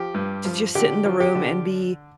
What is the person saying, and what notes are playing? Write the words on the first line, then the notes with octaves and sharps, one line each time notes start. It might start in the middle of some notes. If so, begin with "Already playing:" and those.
to just sit in the room and be
Already playing: F3 G4
G2
F3
D3 G4
F3
G4
D3